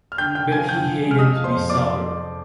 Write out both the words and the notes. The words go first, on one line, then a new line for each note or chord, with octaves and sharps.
But he hated to be sober.
F6
D3 G5 G6
D3 G5 G6
F3 G#5 G#6
D3 G5 G6
F3
G#3
F6
C3 D#5 D#6
F3
C5 C6
F2
F3 D5 D6